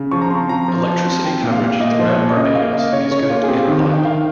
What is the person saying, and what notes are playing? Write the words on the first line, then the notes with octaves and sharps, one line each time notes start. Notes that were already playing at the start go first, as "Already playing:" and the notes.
Electricity coverage throughout Barbados is good and reliable.
Already playing: C#3
F3 C#6
A#5
C4 C6
F3 A#5
F3
F3
C4
C4 G5
A#2
F5
A#2
A#2 D#5
A#4
F3 C5
C#5
A#2
C#3 D#5
A#3 F5
A#3 D#5
C#3 C#5
C#3 C#5
A#3 F4
G#4
C4 G4
D#3
D#3
G5
D#3 F5